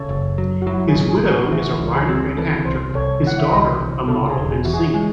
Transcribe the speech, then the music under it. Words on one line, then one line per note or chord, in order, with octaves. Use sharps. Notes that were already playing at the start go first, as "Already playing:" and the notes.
His widow is a writer and actor, his daughter a model and singer.
Already playing: C#3 A4 C#5
F#1
F#3
F#4
F#3 E4
G#4
A1
G#4
A1 F#4
G#4
E3 F#4
C#2
G#4
C4
E3 A4
C2 C5
C2 A4 C#5
E3 F#5
E5
C2 C5 D#5
C2
C#3 A4
G#4
E1
G#4
E3 F#4
G#4
G#3 G#4